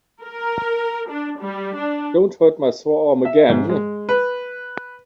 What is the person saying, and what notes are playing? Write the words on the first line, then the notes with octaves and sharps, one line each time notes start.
Don't hurt my sore arm again.
A#4
D4
G3
D4
E5
G#2
G#3
B4